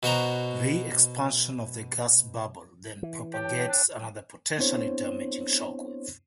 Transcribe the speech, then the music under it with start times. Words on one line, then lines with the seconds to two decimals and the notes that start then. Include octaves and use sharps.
Re-expansion of the gas bubble then propagates another potentially damaging shock wave.
0.03 B2 F#4 C5 A#5
3.03 E3
3.34 G4 C#5 G5 A5
3.69 D4
4.58 B3 C4 D4 E4 C5 C#5